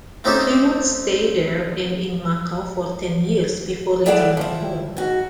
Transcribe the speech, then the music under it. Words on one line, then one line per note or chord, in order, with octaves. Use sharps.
He would stay there and in Macau for ten years before returning home.
A3 C4 C#4 D#4 G4 A4
G3 E4 G#4 A4 D5 F#5
F3 E4
G#2 F#4